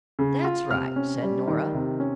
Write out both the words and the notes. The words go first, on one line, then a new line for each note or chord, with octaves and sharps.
"That's right," said Nora.
C#3
F4
C3 F6
C#4
G3
D#3
C3
C#4